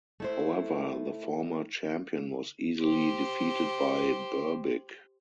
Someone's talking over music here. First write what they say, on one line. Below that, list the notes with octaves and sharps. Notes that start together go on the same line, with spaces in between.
However, the former champion was easily defeated by Berbick.
A3 E4 C5
G4 C5